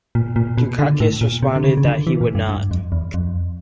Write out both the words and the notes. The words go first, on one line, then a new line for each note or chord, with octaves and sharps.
Dukakis responded that he would not.
A#2
A#2
B2
D3
A2
A#2
C3
D3
C#3
C#3
D3
E3
A#2
G2
G2
F2
E2
F2